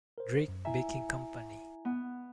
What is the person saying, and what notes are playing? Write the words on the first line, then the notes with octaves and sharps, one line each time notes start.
Drake Baking Company.
A#4 C5
F#2
E4 E5 G#5 A#5
B3